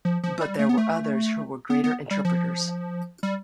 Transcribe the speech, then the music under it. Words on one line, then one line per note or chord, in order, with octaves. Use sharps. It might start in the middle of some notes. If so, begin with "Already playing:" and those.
But there were others who were greater interpreters.
F3
F3
G3
A3
B3
A3
B3
B3
G3
F3
G3